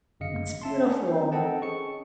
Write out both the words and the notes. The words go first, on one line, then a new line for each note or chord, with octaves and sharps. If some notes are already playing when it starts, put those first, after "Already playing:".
That's beautiful.
G1 F#2 C#3 D#5 F5 C#7
E5 A5 C6
B3 C#4 D4 A#4
C4 C5
C4 A4 D#5 F#5 G5 A5
C#4 G#4 C#6 C#7